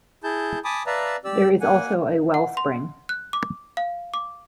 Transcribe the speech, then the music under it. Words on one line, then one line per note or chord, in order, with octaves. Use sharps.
There is also a well spring.
E4 G#4 A5 G6
G#5 A5 B5 D6 D#6
B4 D5 E5 F5 A5 A#5
G4 D5 E6
A#3 F#5 G#5
F#5
C6
F#6
D6
F5
D6